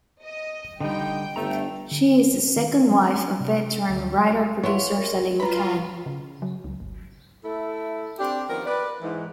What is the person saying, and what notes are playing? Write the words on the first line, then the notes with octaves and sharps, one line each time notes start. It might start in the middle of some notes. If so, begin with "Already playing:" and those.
She is the second wife of veteran writer-producer Salim Khan.
D#5
D3 F3 G3 D#4 G5
G1 A3 A#5
D3
C4
D#3
F#3
A3
C3
D2
G3
B3 E4 F4 C#5
A#4
F4 B4 A#5 B5
C#3
F#3
C#2
G1
A3 E4 A4
C4 D4 G4
D#3 F3 B3 A#4
B4 D5
G#2 E3